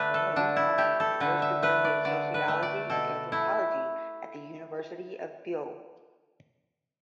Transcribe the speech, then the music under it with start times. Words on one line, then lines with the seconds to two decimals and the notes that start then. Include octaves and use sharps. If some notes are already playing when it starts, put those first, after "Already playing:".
Alang earned her first degree in Sociology and Anthropology at the University of Buea.
Already playing: D3 A3 D4 B4
0.14 A4
0.36 D3 D4
0.56 E4
0.78 A3 G4
1.00 A4
1.20 D3 B4
1.42 E5
1.62 A3 B4
1.84 D5
2.05 D3 D5
2.34 B4
2.48 A3
2.63 D5
2.90 B2 A4
3.32 A3 E4